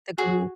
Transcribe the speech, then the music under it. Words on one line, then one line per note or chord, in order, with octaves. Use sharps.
The group.
F#4 G#4